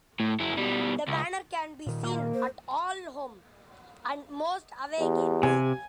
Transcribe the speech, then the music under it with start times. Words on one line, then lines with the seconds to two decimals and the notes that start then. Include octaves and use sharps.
The banner can be seen at all home and most away games.
0.20 A2
0.40 F#2 E4
0.58 B2 G3
1.08 C#2
1.87 A#2 D#3
2.03 A#3
2.34 C5
4.99 E2 G4
5.43 C3 G#5